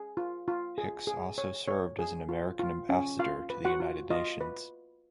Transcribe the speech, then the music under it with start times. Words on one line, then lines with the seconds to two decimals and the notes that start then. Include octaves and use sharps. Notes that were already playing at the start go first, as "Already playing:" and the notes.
Hicks also served as American Ambassador to the United Nations.
Already playing: G#4
0.17 F4
0.48 F4
0.78 G#4
1.07 G#4
1.38 C#5
1.67 C#5
1.99 G#4
2.29 F4
2.59 F4
2.89 C#4
3.19 F4 F5
3.50 B4
3.65 F#4 F#5
3.80 F4
4.11 F4 D#5
4.41 B4